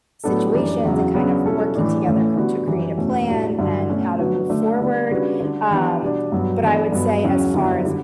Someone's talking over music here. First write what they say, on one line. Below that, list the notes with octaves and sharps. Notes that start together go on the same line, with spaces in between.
situations and kind of working together cr to create a plan and how to move forward. Um, but I would say as far as
A2 F#3 B3 D4 A4
F#2 E3 G3 D4
E2 C#3 F#3
C#3 F#3 B3 D4 F#4
B2 G3 C#4 E4 A4
A2 E3 A3 D4
A2 E3 A3 C#4
D3 G3 B3 F#4
F#2 E3 G3
E2 B2 A3 C#4
A2 G3 D4 F#4
G2 D3 F#3
B2 A3 C#4 F#4
D3 F#3 B3 F#4 B4
D3 A3 D4
D3 G3 B3 D4
C#3 G3 D4 F#4 B4
D3 G3 D4
E3 B3 D4 G4
B2 G3 D4
G2 F#3 B3
E3 B3 D4 A4 D5
G2 F#3 B3
E2 C#3 F#3 C#4 F#4
F#2 D3 G3 B3 E4
D3 G3